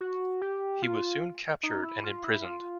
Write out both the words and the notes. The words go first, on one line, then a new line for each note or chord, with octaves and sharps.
He was soon captured and imprisoned.
F#4
G4
F4
D#4
E4
F4
E4
F4